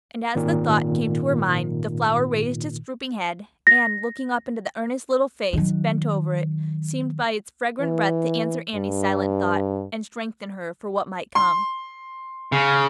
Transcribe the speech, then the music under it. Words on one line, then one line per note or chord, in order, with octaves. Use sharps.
And as the thought came to her mind, the flower raised its drooping head, and, looking up into the earnest little face bent over it, seemed by its fragrant breath to answer Annie's silent thought, and strengthen her for what might come.
G#1 A#2 D#3
A#6
D#3 F#3
E3
G2
C6
C#3